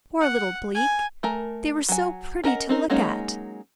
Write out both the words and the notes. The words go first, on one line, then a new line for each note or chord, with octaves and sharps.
Poor little bleak! they were so pretty to look at.
F#5
G#5
A3 A#4 G#5
F#3 G#5
C#4 A#4 D#5 F#5
C4 D#4 A#4
F#3 G#3 A#3 C#4 D#4